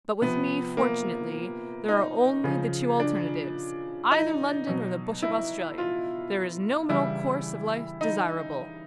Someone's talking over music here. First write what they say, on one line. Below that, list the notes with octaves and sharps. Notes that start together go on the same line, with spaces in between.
But with me, fortunately, there are only the two alternatives, either London or the bush of Australia--there is no middle course of life desirable.
C3 F3 B3
A#3
D#4
C#3 F3
D4
D#4
B2 F#3
E4
F4
C#3 E3 G3 E4
D#4